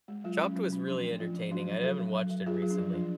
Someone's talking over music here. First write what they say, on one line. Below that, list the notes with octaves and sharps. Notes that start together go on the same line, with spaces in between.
Chopped was really entertaining, I haven't watched it recently,
G#3
F#3 F4
C#4
F#3
C#4
F3 D4
A3
F3 F4
F3
F#3 D4 F#4
F#3
F#3 F#4 A4
F#3
F#3
F#3
F#3 F4 G#4
F#3 F4
D4
F3 F4
D4 F4